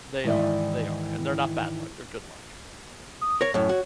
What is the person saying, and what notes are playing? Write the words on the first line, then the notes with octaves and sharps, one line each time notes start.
They are, they are, and they're not bad luck, they're good luck.
G#2 D#3 E3 E4 D5 E5
D#6
A#4 C#5 A#6
F#2 A2 C#5
F#4